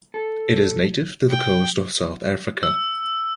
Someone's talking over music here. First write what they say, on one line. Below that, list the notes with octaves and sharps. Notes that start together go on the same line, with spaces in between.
It is native to the coast of South Africa.
A4
G5
E6